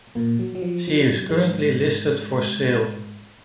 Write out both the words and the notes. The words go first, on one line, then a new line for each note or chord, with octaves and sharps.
She is currently listed for sale.
A#2 A#3
F#3
F#3
F3
F3
F#3
G#2 G#3